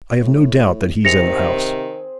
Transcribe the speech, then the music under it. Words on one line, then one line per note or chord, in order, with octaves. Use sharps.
'I have no doubt that he's in the house.'
A2
C3 D#3 C4 G#4 C5 A#6 C#7 F7